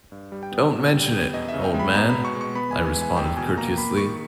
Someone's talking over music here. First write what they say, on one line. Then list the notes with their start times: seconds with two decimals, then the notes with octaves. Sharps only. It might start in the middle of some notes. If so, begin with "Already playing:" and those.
"Don't mention it, old man," I responded courteously.
0.12 G2
0.32 G3
0.43 G5
0.52 B3
0.73 A#2
0.93 G3
1.13 B3
1.34 E2 D#5
1.49 E5
1.54 C#3
1.64 G5
1.74 G#3
1.79 B5
1.94 B3 A#5
2.10 B5
2.15 B2
2.25 C#6
2.35 G#3
2.41 C#6
2.55 B3 B5
2.71 G#5
2.76 E3
2.86 G#5
2.96 G#3
3.02 G#5
3.17 E2 G5
3.36 B2 G#5
3.57 A#3 A#5
3.77 A#3 B5
3.97 D#3 C#6